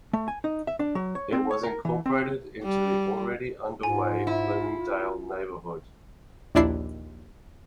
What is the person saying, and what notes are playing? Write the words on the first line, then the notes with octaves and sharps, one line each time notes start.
It was incorporated into the already-underway Bloomingdale neighborhood.
A3
G#5
D#4
E5
D4
F#3
C#5
C4
C#5
A#4
E3
C4
G3
G#2 F4 G#5
E4
A#1 D#2 D4 E4 C7